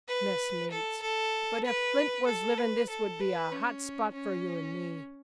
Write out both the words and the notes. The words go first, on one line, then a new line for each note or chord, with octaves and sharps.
Messmates, but if Flint was living, this would be a hot spot for you and me.
B4
A4
A4
B4
A4
B4
A4
B4
C#4
C#4